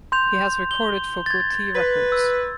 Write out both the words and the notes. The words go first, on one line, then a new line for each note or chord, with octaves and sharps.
He has recorded for Gotee Records.
C6 G6 F7
G7
G#6 A6
B4
E6